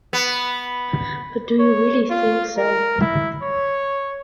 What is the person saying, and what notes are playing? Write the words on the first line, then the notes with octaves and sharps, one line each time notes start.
But do you really think so?
B3
C#5
F4
A#4
E4
C#5